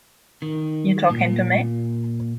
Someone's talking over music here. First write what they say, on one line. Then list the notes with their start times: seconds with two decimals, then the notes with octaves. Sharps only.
You talking to me?
0.42 D#3
1.10 A#2